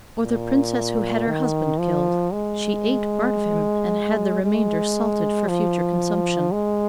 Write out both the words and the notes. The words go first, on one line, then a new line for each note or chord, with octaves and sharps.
Or the princess who had her husband killed; she ate part of him, and had the remainder salted for future consumption.
A#2
D#3
F3
G#3
G#3
F3
G#3